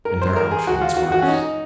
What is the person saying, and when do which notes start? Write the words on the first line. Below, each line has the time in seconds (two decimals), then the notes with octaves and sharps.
And their auction is worse.
0.05 A#4
0.21 C5
0.36 A#4
0.51 G#4
0.67 F#4
0.81 F4
0.97 F#4
1.12 F#4
1.22 C#4
1.28 D#4